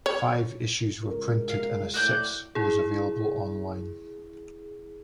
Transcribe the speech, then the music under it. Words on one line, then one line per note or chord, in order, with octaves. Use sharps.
Five issues were printed, and a sixth was available online.
C#5
C#2 A#4
F5
A2 F#4 D5 G6
E4 G#4